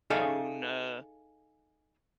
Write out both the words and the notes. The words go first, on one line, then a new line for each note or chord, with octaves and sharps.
own, uh,
D#4 G#4 A4 D5 E5 F5